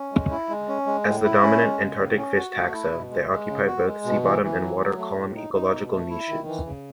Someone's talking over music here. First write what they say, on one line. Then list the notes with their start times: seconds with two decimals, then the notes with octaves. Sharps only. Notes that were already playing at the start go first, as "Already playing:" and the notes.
As the dominant Antarctic fish taxa, they occupy both sea-bottom and water-column ecological niches.
Already playing: C#4
0.12 G#3
0.31 E4
0.49 G#3
0.68 C#4
0.86 G#3
1.06 A2
1.24 E4
1.43 C#4
1.62 G#3
1.80 C#3
1.99 A2
2.17 C#4
2.36 F#4
2.55 A3
2.73 E4
2.92 B2
3.11 G#3
3.29 G#3
3.48 C#3
3.67 F#4
3.86 G#3
4.05 B2
4.23 E3
4.42 E3
4.60 F#3
4.79 F#3
4.97 A3
5.17 A2
5.35 D#4
5.54 D#4
5.72 B2
5.91 A3
6.10 E4
6.29 D#3
6.47 E3
6.66 C#3